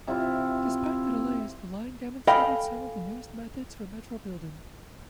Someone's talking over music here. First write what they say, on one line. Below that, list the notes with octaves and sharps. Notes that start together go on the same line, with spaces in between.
Despite the delays, the line demonstrated some of the newest methods for metro-building.
C3 E4 F4
A4 D#5 F5 G5 G#5 B5